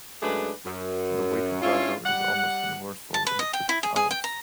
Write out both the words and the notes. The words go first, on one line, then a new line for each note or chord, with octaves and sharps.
The weighted rudder is almost universal in the British Isles.
F#2 G#3 A3 D4 G#4 B4
F#2
C#4 D4 E4 F4
G3 F#5
A5
B4
D#5
G5
E4
G#4
G#4
G5
A#5